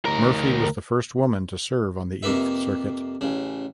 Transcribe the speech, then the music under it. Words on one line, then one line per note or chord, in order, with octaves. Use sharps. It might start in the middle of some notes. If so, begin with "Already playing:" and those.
Murphy was the first woman to serve on the Eighth Circuit.
D2 A#4
F2 C3 A#3 B4 E5
A1 C#3